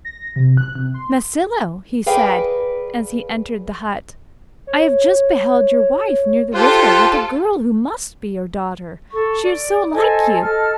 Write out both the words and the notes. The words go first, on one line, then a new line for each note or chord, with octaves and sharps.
'Masilo,' he said, as he entered the hut, 'I have just beheld your wife near the river with a girl who must be your daughter, she is so like you.
A#6
C3
F#6
C3
C6
G#4 A#4 B4 D5 F5 G5
C#5
F4 G4 A4 C5 F#6
A4 C#6
D5
A4 C5 D#5 G#5
A4 D#5 F6